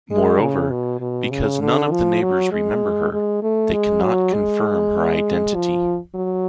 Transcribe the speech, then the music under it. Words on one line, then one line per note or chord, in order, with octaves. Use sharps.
Moreover, because none of the neighbors remember her, they cannot confirm her identity.
G#3
C#3
B2
B2
C#3
D3
F3
F#3
G#3
G#3
A3
G#3
F#3
G#3
F3
F#3